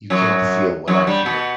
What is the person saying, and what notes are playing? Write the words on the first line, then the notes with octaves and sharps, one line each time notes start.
You can't feel what I feel.
F#2 F#3
F#2 F#3
G2 G3
B2 B3